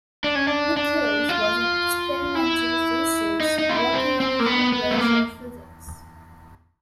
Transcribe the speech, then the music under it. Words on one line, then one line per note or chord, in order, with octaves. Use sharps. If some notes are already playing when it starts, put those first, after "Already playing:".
Michels was an experimental physicist, working in high pressure physics.
D4
C#4
D4
D4
F4
E4
D#4
D#4
F4
E4
C4
C4
A#3
B3
B3
A3
A#3